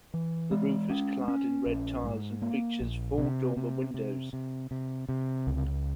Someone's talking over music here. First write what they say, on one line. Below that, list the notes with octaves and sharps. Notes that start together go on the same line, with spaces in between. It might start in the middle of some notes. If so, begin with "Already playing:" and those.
The roof is clad in red tiles and features four dormer windows.
E3
G#3
C#4
C#4
A#1
G#2
A#3
A#1
C3
C3
C3
C3
C3
C3
C#2